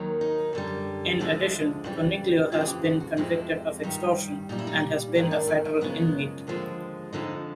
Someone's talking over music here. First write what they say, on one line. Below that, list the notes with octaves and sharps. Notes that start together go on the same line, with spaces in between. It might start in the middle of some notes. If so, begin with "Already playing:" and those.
In addition, Coniglio has been convicted of extortion and has been a federal inmate.
Already playing: D#2 D#3 F#3
D#4
F#2 D3 G3
D2 D3 F3 G#3 E4
F2 C#3 E3 G3
F2 C#3 E3 G#3 F4
G#4
G4
F#4
F#4
F2 C3 F3 G#3 E4
G2 D#3 G3
A#2 G3 D#4
E4
D#4
D#2 D#3 G#3 D4
D4
A3
A3
F#2 C#3 F3 G#3 B3
D#2 D3 F3 G#3
F2 D3 F3 G#3 D#4